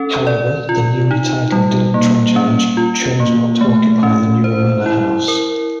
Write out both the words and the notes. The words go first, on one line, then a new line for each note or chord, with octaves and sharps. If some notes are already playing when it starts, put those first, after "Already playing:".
However, the newly titled Dillon-Trenchards chose not to occupy the newer manor house.
Already playing: C#4 A4
D5
F4
D#4
G3
A#3
C#4
F4
A#3
A3
C#4
C5
E4
A#4